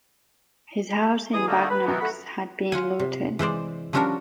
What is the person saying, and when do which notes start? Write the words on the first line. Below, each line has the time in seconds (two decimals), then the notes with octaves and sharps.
His house in Bagneux had been looted.
1.33 E3 G#4 D#6
1.47 D3 A3 A#3 D#4
1.70 B4 B5
1.86 B2 D#3 E3 B3
2.01 A3 F#4 F#5 B5
2.72 F4 F#5 G#5
2.99 C3
3.39 E3 G#3 C5 D5
3.93 F3 G3 C#4 D4 F#4 A#4